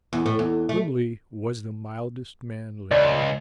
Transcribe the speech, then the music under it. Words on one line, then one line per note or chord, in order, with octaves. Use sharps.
Wimley was the mildest man living.
E2
A2
E2
A3
C#2 D5